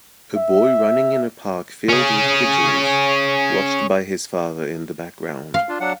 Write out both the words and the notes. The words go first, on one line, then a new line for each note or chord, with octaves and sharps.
A boy running in a park filled with pigeons, watched by his father in the background.
E5
C#4 G#4
F5
D4 F4
F#3 D4 F#5